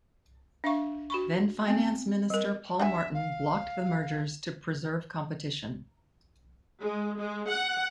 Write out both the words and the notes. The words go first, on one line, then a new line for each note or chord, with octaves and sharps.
Then Finance Minister Paul Martin blocked the mergers to preserve competition.
D4 E5 F5 C#6
F#4 B5 C#6
B3 C4
G3 A#4
D4 F#4 E5 G#5
F5
G#3
G#3
F#5